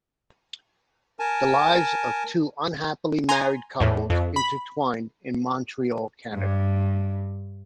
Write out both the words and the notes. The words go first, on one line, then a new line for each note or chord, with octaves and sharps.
The lives of two unhappily married couples intertwine in Montreal, Canada.
A#4 G#5 A5
G#5 A#5 C6
E2 A2
F2
B5
G2